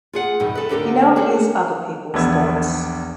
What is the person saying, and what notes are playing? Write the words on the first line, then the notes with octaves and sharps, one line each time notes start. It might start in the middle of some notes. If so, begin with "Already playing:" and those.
He now hears other people's thoughts.
F4 G#4 F#5
E2 G2 B2 D#4
A4 B4
D2 D3 G4 A4 A#4
A3 C#4 D4 F#4 G#4
A#1 E2 B3 E5 E6 G#6